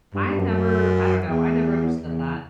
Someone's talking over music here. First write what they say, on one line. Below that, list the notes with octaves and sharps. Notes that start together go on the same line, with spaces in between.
I never I don't know, I never understood that.
G2
G2
F#2
E2
E2